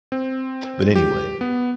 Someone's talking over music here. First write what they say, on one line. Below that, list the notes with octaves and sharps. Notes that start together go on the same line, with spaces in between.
but anyway.
C4
G4
B3